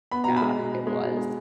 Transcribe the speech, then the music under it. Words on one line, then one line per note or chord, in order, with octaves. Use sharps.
Yeah, it was.
B3 B5
B2 A#5
G#3 B5
B2
B2
G#3
B2
G#3